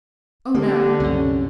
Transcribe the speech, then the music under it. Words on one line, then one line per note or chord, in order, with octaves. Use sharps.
"Oh no."
D3 A#3 G4
C2 F#2 C#4